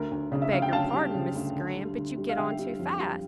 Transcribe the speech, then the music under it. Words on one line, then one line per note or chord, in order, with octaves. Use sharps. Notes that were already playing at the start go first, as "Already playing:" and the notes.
'I beg your pardon, Mrs. Graham--but you get on too fast.
Already playing: D2 A#4
D2
C#3
E5
D2 F5
G5
D2 F5 A5
G3
C#3
D2
D3
G3
D3
G3
F5
D3 E5 G5
G3
F2
G3